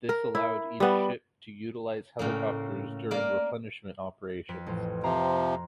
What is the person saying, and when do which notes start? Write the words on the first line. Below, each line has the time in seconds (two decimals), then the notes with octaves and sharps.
This allowed each ship to utilize helicopters during replenishment operations.
0.09 A#4
0.35 E4
0.80 G3 B3
2.19 A2 C#3 A#3
3.11 A#3 A#4 D5
4.49 F2 B6
4.66 A1 F3 F4
5.04 C3 F3 G5 A#5 C6